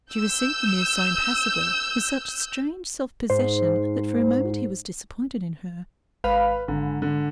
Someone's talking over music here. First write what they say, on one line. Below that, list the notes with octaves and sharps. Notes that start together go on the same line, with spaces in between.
She received the news so impassively, with such strange self-possession, that for a moment he was disappointed in her.
E6 G6
G#2 C5
G#1 B4 F5 B5
G#1 D3
D3